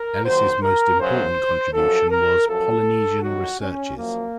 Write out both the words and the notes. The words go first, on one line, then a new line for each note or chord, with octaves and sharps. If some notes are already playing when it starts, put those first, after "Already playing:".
Ellis' most important contribution was "Polynesian Researches".
Already playing: A#4
D#2 D#3 F#3 C5
A#4
F#2 C#3 F#3 C5
F#2 F3 A4
A#4
F#2 F3 A4
F2 D#3 F#3 F#4
C#4
F#2 F3 A#3